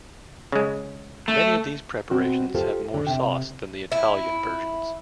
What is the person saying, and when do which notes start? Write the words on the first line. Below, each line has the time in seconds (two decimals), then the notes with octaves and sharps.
Many of these preparations have more sauce than the Italian versions.
0.52 C#3 G#3
1.28 A3
2.11 B2 C4 F#4
2.55 F4 G4 A4 C5
2.94 D3
3.07 C3 G5
3.92 E4